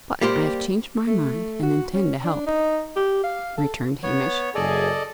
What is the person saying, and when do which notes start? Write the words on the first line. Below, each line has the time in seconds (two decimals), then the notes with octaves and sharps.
"But I have changed my mind, and intend to help," returned Hamish.
0.21 G3 A#3 G4 C5
1.08 A3
1.63 F#4
1.94 C#4
2.24 D4
2.47 D#4
2.97 G4
3.24 F5
3.58 A4
4.03 B3 C#5
4.55 F#1 G#4 A4 D5 D#5